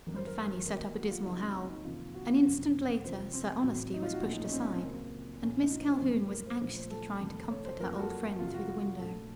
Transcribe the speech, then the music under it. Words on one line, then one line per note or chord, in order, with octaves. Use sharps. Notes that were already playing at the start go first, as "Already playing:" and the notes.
Aunt Fanny set up a dismal howl; an instant later Sir Honesty was pushed aside, and Miss Calhoun was anxiously trying to comfort her old friend through the window.
F#1 F#2 D#3
C5
A#4
F#2 D#3 F#3 A#3
F#4
F4
C#2 C#3 F#3 A#3 D#4
C4
C#4
D#4
F2 C3 D#3 A#3 F4
F#4
F#1 F2 C3 F3
F2 C3 F3 C5
C4
A1 A2 F#3
D#4
F4
F#4
A#1 A#2 A3 F4
D#4
C#4 D#4
C4
C#4
C4
C#2 C#3 F#3 A#3
A#1 A#2 A3 C#4
D#4
F4
C#5
C5
F#1 F#2 C#3 F3 A3
A#4
C5
A#1 A#2 F3 A3 C5
C5
A4
F2 C3 D#3 A3
C#5
C5
F#2 F3 A#3 A#4
A#4
F#4
A4
F2 C3 F#3 F4
F#4
A#1 A#2 A3 A4